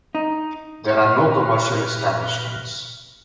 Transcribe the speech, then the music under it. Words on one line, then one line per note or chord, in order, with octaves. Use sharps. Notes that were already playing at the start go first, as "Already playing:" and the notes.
There are no commercial establishments.
D#4
A#2 B4 F6